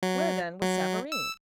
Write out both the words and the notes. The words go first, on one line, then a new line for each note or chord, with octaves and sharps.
Where, then, was Savareen?
F#3
F#3
E6